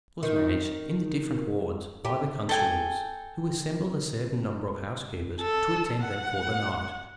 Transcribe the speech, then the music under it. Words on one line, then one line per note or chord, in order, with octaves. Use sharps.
This was managed in the different wards by the constables, who assembled a certain number of housekeepers to attend them for the night.
D#3
G4
A4 G5 G#5
A4
F#5